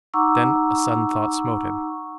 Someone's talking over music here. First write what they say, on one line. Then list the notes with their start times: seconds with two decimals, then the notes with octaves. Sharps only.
Then a sudden thought smote him.
0.14 D#4 F#5 A#5 C#6 D6 E6